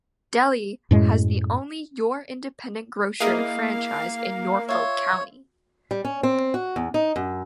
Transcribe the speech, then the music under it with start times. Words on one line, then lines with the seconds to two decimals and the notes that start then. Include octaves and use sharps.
Delhi has the only Your Independent Grocer franchise in Norfolk County.
0.91 F#2 A2 G#3
3.20 A#3 E4 G#4 D#5 F5
4.69 F4 C#5 E5
5.91 G3
6.05 C#4
6.23 C4
6.54 F#4
6.76 E2
6.94 D#4
7.16 F#2